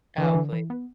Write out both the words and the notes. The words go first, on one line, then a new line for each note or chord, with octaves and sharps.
Oh, please.
D3 E3
D3
E3
B3